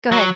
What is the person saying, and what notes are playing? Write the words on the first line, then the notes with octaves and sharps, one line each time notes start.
Go ahead.
F#3